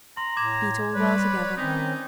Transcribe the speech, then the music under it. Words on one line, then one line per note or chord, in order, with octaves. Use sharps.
Beat all well together.
A#5 C6
A2 D6 G#6 E7
G3 B4 C#5 D5
D#3 C4 C#4 D#4